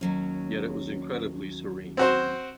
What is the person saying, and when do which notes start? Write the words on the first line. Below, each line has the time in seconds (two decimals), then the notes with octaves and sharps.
Yet it was incredibly serene.
0.01 D#2 F#3 C#4
1.97 C4 F#4 C5